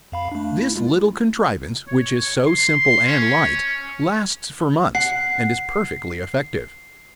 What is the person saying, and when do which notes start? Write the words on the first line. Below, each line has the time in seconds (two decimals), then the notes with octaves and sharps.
This little contrivance, which is so simple and Light, lasts for months, and is perfectly effective.
0.12 F2 F5 B5
0.32 A3 D4
0.62 E4
0.76 G#3 F4
1.88 C#5
2.46 C6
3.07 C#4
4.95 F#5 C7